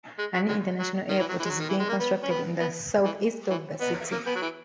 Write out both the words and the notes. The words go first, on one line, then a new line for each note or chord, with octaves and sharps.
A new international airport is being constructed in the southeast of the city.
G#3
F#3
G#3
F#3
D#3
E3
F#3
E3
G#3
F#3
D#3
E3
G#3
A#3
B3
C#4
B3
B3
E3
E3
B3
A#3
B3
F#3
E3